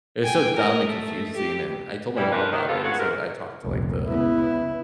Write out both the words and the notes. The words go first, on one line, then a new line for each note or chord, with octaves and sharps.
it was so dumb and confusing, and I told my mom about it, and so I talked to, like, the
G5 G#5
A#4 D#5
A3
G4
E3 G3
C#3 F3 D4 G4 A#4 B4
D#3
B3 F4 A4
G#2 C#3 F4 F#4
G#2 C3 A#4
F1 C#2 A#2
C#3 B3 E4